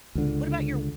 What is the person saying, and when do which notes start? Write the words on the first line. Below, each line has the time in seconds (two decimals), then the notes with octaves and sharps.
What about your
0.15 C#2 D3